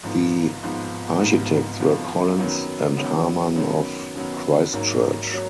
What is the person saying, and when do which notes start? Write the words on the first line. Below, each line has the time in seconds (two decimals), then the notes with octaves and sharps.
The architects were Collins and Harman of Christchurch.
0.03 G#1 G#2 F3 B3
0.63 G#1 G#2 F3 B3
1.20 G#1 G#2 F3 B3
1.79 G#1 G#2 F3 B3
2.39 F#2 D#3 F#3 B3
2.97 F#2 D#3 F#3 B3
3.56 F#2 D#3 F#3 B3
4.15 F#2 D#3 F#3 B3
4.73 G#1 G#2 F#3 A#3
5.34 F#3